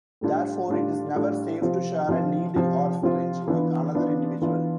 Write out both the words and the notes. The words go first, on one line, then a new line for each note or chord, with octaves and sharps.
Therefore, it is never safe to share a needle or syringe with another individual.
A2 G3 D4 F4
A2 G3 D4 F4
A2 G3 D4 F4
C3 F3 C4 F4
C3 F3 C4 F4
C3 F3 C4 F4
C3 F3 C4 F4
E3 B3 D4 F4
E3 B3 D4 F4
E3 B3 D4 F4